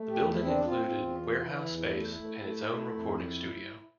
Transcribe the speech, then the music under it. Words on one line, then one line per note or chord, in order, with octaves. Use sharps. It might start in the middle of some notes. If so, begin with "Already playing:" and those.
The building included warehouse space and its own recording studio.
Already playing: A3
G4
E2
E4
C4
D4
C4 F4
E2
E3
E3 E4
E2
E4
A3
A3
A3
A3
F2